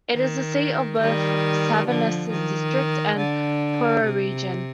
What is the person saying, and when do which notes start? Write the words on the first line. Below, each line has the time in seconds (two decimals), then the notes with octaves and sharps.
It is the seat of both Savanes District and Poro Region.
0.14 D#3
1.00 D#3 G3
1.87 D3 F3
2.31 D#3
3.17 D3
4.04 C3